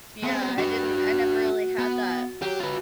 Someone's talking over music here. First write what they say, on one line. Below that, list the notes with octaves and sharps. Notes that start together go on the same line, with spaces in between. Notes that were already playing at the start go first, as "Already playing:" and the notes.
yeah, I didn't I never really had that.
G#3 B3 C4
D4 F#4 B4
B3
F#3 G4
F4 B4